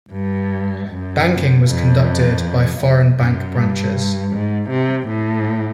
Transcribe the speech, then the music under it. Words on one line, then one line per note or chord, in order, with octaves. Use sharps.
Banking was conducted by foreign bank branches.
G2
F#2
F2
F2
F#2
G2
G#2
C3
A2